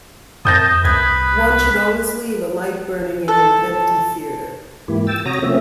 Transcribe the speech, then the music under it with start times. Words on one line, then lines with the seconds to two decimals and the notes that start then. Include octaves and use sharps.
One should always leave a light burning in an empty theatre.
0.45 F2 A5 D#6 G6 A#6
0.85 C2 B4 G#6
3.28 A4
4.88 G#2 E3 A#3 E4 G4
5.07 G5 E6 A6
5.26 C3 F#4 C#5 A#5 D#6 A#6
5.42 F3 A3 A#3 C4 C#4 E5